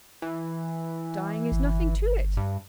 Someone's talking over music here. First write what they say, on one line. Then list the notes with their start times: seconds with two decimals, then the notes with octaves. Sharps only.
Dying is nothing to it.
0.22 E3
1.52 G1
2.37 G2